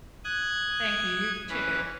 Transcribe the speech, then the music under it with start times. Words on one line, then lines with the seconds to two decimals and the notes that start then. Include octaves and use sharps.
Thank you, you, too.
0.24 D#6 F#6 G#6
1.49 E3 C#4 B4